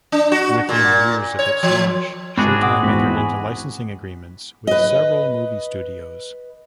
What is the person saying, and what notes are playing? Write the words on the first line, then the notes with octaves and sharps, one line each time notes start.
Within years of its launch, Showtime entered into licensing agreements with several movie studios.
D4
F#4
A#2
C#5
F3
G#1 C4 D4 F#4 G#4 B5 C#6
F#5 D6 D#6
G#1 E2 B5
G#5
B4 D#5